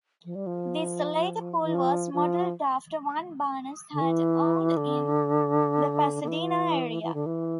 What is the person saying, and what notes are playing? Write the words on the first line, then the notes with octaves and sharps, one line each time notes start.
This later pool was modeled after one Barnes had owned in the Pasadena area.
F3
G3
F3
E3
F3
F3
D3
E3
D3
D3
E3
E3
D3
E3